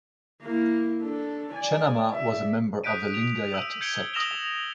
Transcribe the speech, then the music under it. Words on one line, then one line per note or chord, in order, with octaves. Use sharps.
Chennamma was a member of the Lingayat sect.
A#3 E4
D4 A4
D5 G#5
D5 E5
D#6 F#6 G6 B6 D7 D#7
F7
E6 D#7
G6 G#6 C#7 D7 G7
D#6 E6 A#6 E7 F7 G7